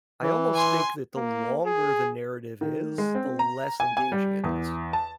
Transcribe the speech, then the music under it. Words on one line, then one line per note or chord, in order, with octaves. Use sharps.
I almost think that the longer the narrative is, the less engaging it is.
E3
G#5 C6
A#3
G#4
D#3
G#3
C4
A#5
G#5
G#5
G3
E2
A5